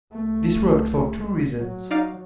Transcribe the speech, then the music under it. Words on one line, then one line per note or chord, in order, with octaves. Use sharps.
This worked for two reasons.
C2 A3
F#3
D#4 D5 F5